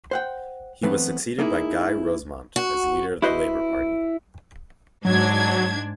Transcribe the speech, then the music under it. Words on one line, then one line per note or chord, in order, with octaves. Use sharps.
He was succeeded by Guy Rozemont as leader of the Labour Party.
C5 F#5 G5
E3 F#3 A3 B3 C4 B4
A#3 D#4 E4 G#4
F#4
E4 F#4 B4 C5 D#5
G#2 F#3 D4 G#6